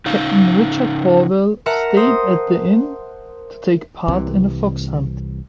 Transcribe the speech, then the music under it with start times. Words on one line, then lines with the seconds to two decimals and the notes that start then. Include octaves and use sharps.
Captain Richard Harwell stayed at the inn to take part in a fox hunt.
0.06 C#3 D#4 F5
1.66 A#4 E5 F#5 A5 A#5
1.97 C5 D#6
4.08 C2 C3 E3